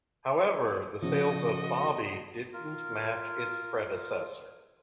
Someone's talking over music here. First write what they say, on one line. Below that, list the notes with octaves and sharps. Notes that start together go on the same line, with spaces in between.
However, the sales of "Bobby" didn't match its predecessor.
C#3 F3 F#4 D#5
F4 A#4